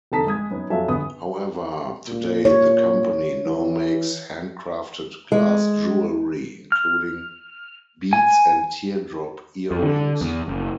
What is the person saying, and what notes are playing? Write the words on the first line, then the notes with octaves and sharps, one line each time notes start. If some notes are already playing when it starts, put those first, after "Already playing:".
However, today the company now makes handcrafted glass jewelry; including beads and Teardrop earrings.
F1 D3 D#4 A5 A#5 B6
G#3 D#6 G#6
F#2 B3 C#4 D#4
F2 F#3 F4 E5 G#5 A5
G1 B3 G#4 D#6
A#2
C#5
E3
G#3
F6
G#5
F2
D3
E2
F#1